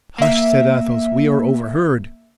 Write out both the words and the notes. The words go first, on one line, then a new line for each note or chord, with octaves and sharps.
"Hush!" said Athos, "we are overheard."
A#3 E5